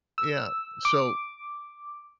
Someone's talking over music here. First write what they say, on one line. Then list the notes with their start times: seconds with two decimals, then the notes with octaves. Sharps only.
Yeah, so
0.18 E6
0.85 D6